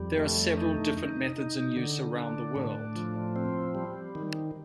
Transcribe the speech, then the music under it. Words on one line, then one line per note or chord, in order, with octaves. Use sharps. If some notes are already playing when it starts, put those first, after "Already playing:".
There are several different methods in use around the world.
Already playing: F2 G3
A3
D#4
D#4
D#4
D3
D4
A2
F3
C4
G3
D#3